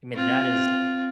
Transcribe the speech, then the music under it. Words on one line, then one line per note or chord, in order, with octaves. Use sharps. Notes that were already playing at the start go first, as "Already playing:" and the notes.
I mean, that is
C4 F4